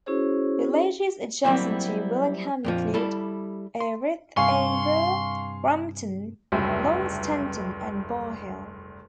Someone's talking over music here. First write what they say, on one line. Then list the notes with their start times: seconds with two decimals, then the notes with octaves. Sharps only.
Villages adjacent to Willingham include Earith, Over, Rampton, Longstanton and Bar Hill.
0.06 C#4 E4 F#4 G#4 C5 C#5
1.45 F#3 G3 A#3 C4 E4
2.65 F2 A#2 F3
2.94 G3 E4 A4
3.80 C6
4.37 G2 C3 F5 G#5 C6 C#6
6.52 F1 C#2 G2 F#3 E5